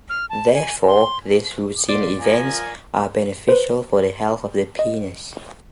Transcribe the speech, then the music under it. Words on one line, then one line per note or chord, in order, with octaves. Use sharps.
Therefore, these routine events are beneficial for the health of the penis.
F6
A5
G#5
C6
A#2 D5 C6
F3 A#4 G#5
B4 C5
D#5